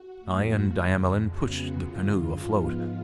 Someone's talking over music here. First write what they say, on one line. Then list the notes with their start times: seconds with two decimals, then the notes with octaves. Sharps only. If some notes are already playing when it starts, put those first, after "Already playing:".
I and Diamelen pushed the canoe afloat.
Already playing: F#4
0.20 F2 F3 A3
0.74 F2 D3 G#3
1.28 F2 C#3 G#3 B3 F#4
1.81 F#2 D3 G#3 F4
2.36 G#2 F3 G#3 B3